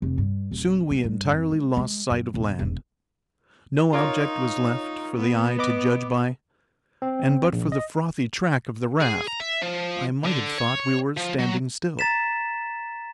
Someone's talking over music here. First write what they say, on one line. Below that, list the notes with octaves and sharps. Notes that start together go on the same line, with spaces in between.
Soon we entirely lost sight of land; no object was left for the eye to judge by, and but for the frothy track of the raft, I might have thought we were standing still.
F1
G2
D#1
A3
G2
F2
G#3
G#3
F#2
E1
E1
D#4 F4 A#4 C#5
B3
B4 D#5 D6
C4
A#1
D#5
G#4
A#5
E5
F3
D3
C#5
F3
F#3
A#5 A6 B6 E7